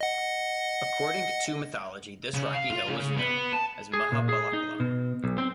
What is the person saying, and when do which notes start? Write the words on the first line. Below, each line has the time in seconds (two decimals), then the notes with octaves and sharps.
According to mythology, this rocky hill was known as Mahabalachala.
0.01 D#5 F#5
2.34 C#3
2.54 F5
2.71 F4
2.89 C#3
3.17 B3
3.53 A5
3.93 G#4
4.12 A#2
4.29 G#4
4.53 D#4
4.80 B2
5.24 B1
5.38 C4